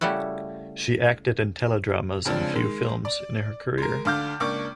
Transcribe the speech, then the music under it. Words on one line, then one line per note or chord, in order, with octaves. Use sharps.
She acted in teledramas and few films in her career.
C#3 G3 A3 E4 F#4
C#2 C#3 F3 C4 D4
D#3 G#3
D5
G#3 A#4
D2 D3 F5 D6 F6 G6
C#2 A#3 D4 C#6 D6